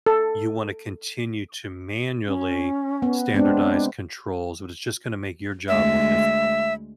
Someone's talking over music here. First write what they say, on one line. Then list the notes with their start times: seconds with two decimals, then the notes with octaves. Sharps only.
you wanna continue to manually standardize controls, but it's just gonna make your job more difficult.
0.06 A4
2.27 C#4
3.02 B3
3.34 G#3 B3 C4 D4
5.68 D2 G#3 E5